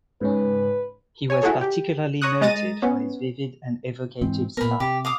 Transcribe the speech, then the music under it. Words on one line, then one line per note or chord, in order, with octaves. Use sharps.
He was particularly noted for his vivid and evocative style.
G#2 C#3 C#4 B4
C#5 G#5
E4 F#4 G#4 A4 C#5
G4
C#5 A#5 C#6 D#6 F#6
G#3 D#5 A#5 A6 A#6 D#7
B3 C#4
G#2 E3 C4
A#2 B3 A#4 B5
C3 G4
F5 D6 D#6